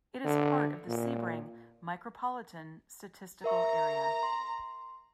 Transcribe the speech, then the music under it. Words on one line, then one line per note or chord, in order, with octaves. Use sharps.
It is part of the Sebring Micropolitan Statistical Area.
D3
A#2
A#4 E5 A#5 C#6
C6